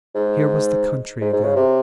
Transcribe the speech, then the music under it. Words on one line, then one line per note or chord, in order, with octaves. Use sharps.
Here was the country again.
G#2
G#2
G#2
C#3
C3